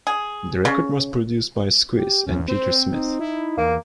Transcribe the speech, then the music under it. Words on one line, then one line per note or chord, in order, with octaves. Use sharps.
The record was produced by Squeeze and Peter Smith.
G#4
C#3
G4
E2 C#4
C4 C5
D#4
E4
E2 A#3